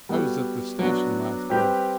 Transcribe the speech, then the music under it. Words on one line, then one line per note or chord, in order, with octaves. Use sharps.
I was at the station last month.
G3 B3 F#4 A4
F#3 B3 D4 F#4
G3 C4 G4 B4